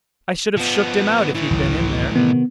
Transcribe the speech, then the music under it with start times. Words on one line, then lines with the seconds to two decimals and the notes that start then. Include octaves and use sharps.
"I should have shooked him out, if he'd been in there!"
0.57 F3 B3
1.35 A2 E3
1.50 G#1 C#2 F#3
2.16 C3 D#3 B3